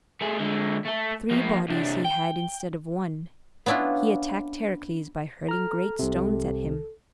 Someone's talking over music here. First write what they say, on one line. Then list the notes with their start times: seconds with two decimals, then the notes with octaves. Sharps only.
Three bodies he had instead of one; he attacked Heracles by hurling great stones at him.
0.21 A3 G#4
0.40 D3 G#3
0.85 A3 A4
1.30 F3 A#3
1.68 C2 D4
2.04 G5
3.66 B3 C#4 D4 E4 F4
5.49 A4 A#5 F6
5.99 C2 C3